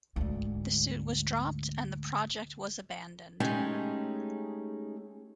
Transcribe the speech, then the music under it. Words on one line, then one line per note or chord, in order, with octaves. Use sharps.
The suit was dropped and the project was abandoned.
D2 G#2
G#3 A3 C#4 D#4 G4 G#4